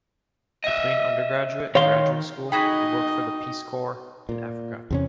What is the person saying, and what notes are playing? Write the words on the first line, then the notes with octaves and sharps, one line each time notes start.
Between undergraduate and graduate school he worked for the Peace Corps in Africa.
D#5 E5
D#3 C#5 F5 C6
D#4 F#4 G#4 D#5 G5 B5 D#6
A#2
E2 C3 C#4